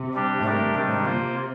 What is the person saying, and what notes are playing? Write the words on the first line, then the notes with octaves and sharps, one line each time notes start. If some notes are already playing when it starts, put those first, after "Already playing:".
Um, and,
Already playing: C3
G3 D4 G4
A3 D4 G4 A#4
C3 D#3 G3 D4
A#3 F4 C5